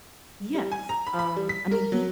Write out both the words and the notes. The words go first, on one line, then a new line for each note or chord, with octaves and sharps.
Yes. Um, I mean, he
G3
G#5
A#5
B5
B5
G3
B6
A#4
F#3